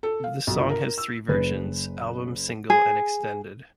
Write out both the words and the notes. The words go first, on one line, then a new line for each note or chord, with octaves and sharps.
The song has three versions: album, single and extended.
A4
F5
B1
G1
A#4
E6
F#1 B4
G#4